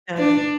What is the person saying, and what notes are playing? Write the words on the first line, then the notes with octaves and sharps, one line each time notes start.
Oh, yeah.
D4